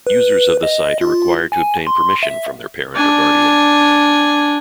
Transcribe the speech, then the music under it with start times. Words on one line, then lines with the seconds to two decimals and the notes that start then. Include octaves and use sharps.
Users of the site are required to obtain permission from their parent or guardian.
0.07 B4
0.63 D#5
1.01 F4
1.52 G#5
1.87 C6
2.23 E5
2.95 D4 G#5